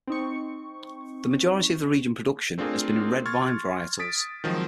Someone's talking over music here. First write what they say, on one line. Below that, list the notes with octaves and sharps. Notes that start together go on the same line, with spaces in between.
The majority of the region production has been in red wine varietals.
C4 D#4 C#6
A3 C4 D4 F4 G#4 A#4
C6 C#6 F6 G#6 A6
D#6 A6 B6 D7
D#3 F3 F#3 G#3 C4